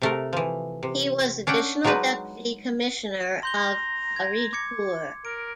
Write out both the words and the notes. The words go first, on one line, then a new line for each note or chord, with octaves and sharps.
He was Additional Deputy Commissioner of Faridpur.
C3 A3 A#4
E3 F3
C3
C#4 D4 F#5 G5
F#3 G#3 D4 D#4 B4
A#5 C6 G6 G7
G#6
D6 G#6 C#7
A#4 D7